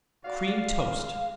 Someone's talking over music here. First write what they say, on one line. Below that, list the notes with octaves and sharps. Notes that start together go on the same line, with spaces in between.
Cream Toast.
F#4 D5 F5
G#3